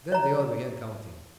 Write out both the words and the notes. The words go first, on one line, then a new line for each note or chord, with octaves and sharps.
Then they all began counting.
C#5 A#5